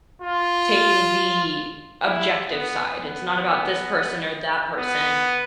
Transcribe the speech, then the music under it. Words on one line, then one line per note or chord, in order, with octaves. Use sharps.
taking the objective side. It's not about this person or that person,
F4
E4
B3
B3
B3